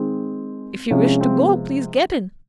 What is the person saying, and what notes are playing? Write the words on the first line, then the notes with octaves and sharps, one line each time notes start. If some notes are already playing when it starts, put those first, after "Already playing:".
"If you wish to go, please get in."
Already playing: D#3 G#3 C4
C3 F3 G#3 C#4
C#4
C4
B3